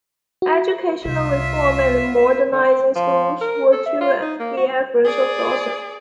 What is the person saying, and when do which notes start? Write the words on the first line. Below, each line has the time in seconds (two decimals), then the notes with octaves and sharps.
Educational reform and modernizing schools were two key efforts of Dosan.
0.42 F#4
1.05 C2 F4 E5
2.52 D3
2.64 C4
2.95 F3
3.41 A#4
3.72 A4
3.86 E5
4.01 F4
4.21 D#4
4.40 A#3
4.57 F#4
5.05 G#4 D5